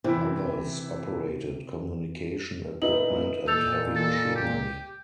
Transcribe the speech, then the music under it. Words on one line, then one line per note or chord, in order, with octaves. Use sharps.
Others operated communication equipment and heavy machinery.
C3 E3 C4 E4
A#2 D#4 E4 B4 F#7
A#2 A4 E6 G6 F7
A4 A6
G4